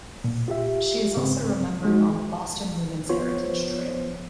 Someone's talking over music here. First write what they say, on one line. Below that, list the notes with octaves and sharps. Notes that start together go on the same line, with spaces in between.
She is also remembered on the Boston Women's Heritage Trail.
A#2
F4 G4 E5
G#2 C#3 C4
G#3 D#4 F#4
F3 B3 C5 C#5